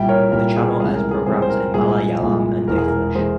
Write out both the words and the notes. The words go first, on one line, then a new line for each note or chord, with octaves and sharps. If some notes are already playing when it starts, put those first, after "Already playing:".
The channel airs programs in Malayalam and English.
Already playing: C2 A#2 G3 E5 G5
A#4 C#5
C2 A#2 G3 A#4
G#4
C#2 C3 E3 G3 G#4
A#4
G#4
C#2 C3 E3 G3 G#4 C5
C5
A#4
C2 A#2 G#3 G#4
C2 A#2 G#3
E1 E2 E3 G#3 A#4
G#4
A#4
E3 G#3 G#4 C5